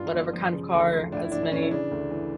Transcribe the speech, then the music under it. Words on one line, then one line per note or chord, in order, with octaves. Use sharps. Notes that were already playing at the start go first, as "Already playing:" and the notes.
whatever kind of car, as many
Already playing: G2 F4
G1
F3
C#3
D2
F3
A2 D4
E4
A#1 D4
D4
E3 C#4
E4
C#3 D4
D2
E3